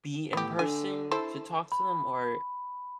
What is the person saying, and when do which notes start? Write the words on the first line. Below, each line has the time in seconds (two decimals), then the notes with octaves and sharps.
be in person to talk to them, or
0.33 A2 B3 G4
0.59 D3 G#5
1.11 E4 A4 C5
1.72 B5